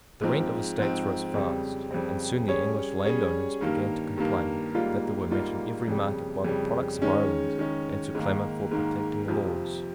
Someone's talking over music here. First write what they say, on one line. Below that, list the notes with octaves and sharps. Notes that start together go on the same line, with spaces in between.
The rent of estates rose fast; and soon the English landowners began to complain that they were met in every market by the products of Ireland, and to clamour for protecting laws.
G#2 F3 C4
G#2 F3 C4
F2 C#3 G3 C4
F2 C#3 G3 C4
G3 C#4 G#4 C#5
G3 C#4 G#4 C#5
G2 D#3 A#3
G2 D#3 A#3
G#2 G3 A#3 F4
G#2 G3 A#3 F4
F2 C#3 G3
F2 C#3 G3
D#3 G#3 C#4
D#3 G#3 C#4
G#2 D#3 A#3
G#2 D#3 A#3
F2 C3 F3